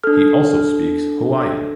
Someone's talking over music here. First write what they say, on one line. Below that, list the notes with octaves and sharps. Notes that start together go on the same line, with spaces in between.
He also speaks Hawaiian.
D4 A4 F6